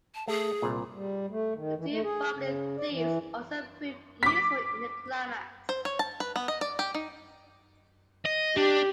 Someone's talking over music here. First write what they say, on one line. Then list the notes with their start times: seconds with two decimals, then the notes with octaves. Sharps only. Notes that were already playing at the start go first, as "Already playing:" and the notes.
The two bumbling thieves also prove useful in the climax.
0.15 A5
0.28 A3 G#4
0.62 C2 A#2
0.92 G3
1.30 A3
1.55 D#3
1.77 E3
1.90 A3
2.03 G#4
2.35 C#3
2.78 D5
2.91 E3
4.23 D6 B6
5.69 C5
5.85 C#5
5.99 A5
6.20 B4
6.36 B3
6.48 D#5
6.61 D5
6.79 G4
6.94 D#4
8.26 D#5
8.57 D4 G4